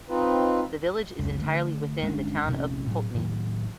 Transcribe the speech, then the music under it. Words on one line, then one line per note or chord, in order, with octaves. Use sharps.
The village is entirely within the town of Poultney.
C4 D#4 F4 B4
F#1 C#2
D3 A3
G1 G#3 C#4 D4
A#1 C3 A3 C#4
A2 F#3
A2 D#3 F#3